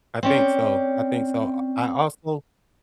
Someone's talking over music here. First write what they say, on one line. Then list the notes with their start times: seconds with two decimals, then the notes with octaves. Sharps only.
I think so, I think so, I I also
0.23 C4 C#4 D5